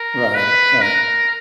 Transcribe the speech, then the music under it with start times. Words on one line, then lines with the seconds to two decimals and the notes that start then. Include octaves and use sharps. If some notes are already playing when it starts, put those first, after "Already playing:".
Right. Right.
Already playing: A#4
0.35 B4
0.82 A#4